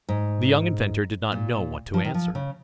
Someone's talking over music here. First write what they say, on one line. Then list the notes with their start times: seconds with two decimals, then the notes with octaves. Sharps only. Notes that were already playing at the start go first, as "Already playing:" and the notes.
The young inventor did not know what to answer.
0.09 G#2
1.32 A#2
1.94 F3
2.05 D#3
2.14 F3
2.35 C#3